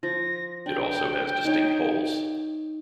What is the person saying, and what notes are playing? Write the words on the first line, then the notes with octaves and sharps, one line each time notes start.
It also has distinct holes.
F3 A#6
D4 G5
D#4 C#5